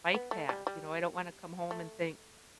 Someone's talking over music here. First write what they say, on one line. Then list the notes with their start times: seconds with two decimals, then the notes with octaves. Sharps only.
bike path. You know, I don't wanna come home and think,
0.14 B3
0.31 A3
0.49 G3
0.67 G3
1.71 A3